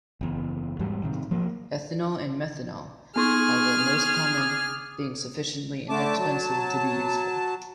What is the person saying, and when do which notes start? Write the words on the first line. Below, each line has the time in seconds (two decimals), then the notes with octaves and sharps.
Ethanol and methanol are the most common, being sufficiently inexpensive to be useful.
0.21 F#1 E2
0.79 E2 G#2 F#3 G3
1.03 A2 C3 D#3
1.31 F3 F#3 A#3
3.16 B3 D#4 G#4 C#6 F6
4.38 D6 D#6
5.89 D3 A3 A5 D6
6.17 F#3 A5